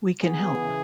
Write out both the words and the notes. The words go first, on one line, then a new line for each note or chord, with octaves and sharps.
We can help.
B3 G#4
E3
C#3